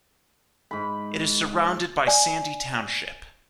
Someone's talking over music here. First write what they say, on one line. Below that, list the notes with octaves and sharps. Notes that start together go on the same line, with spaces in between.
It is surrounded by Sandy Township.
G#2 B5
D5 G#5